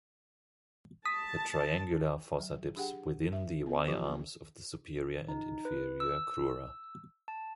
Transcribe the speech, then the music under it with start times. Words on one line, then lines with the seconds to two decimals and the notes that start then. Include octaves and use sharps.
The triangular fossa dips within the Y-arms of the superior and inferior crura.
1.05 A5 D#6 B6
2.39 F#3
2.76 D4 G4 G#4 F#5 G5
3.33 E5
3.66 B3
3.87 E3 F3 D#4 F4 G4 B4
4.03 A#3 F4
5.28 D#4
5.65 B4
6.00 E6
7.28 A5